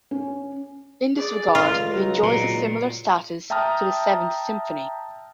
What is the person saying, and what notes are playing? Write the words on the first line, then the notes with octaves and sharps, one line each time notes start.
In this regard it enjoys a similar status to the Seventh Symphony.
C#4
G#4 D5
C#2 A3 F4
F#3 D#4 A#5
A#2
E5 G5 A5 A#5 D#6 F6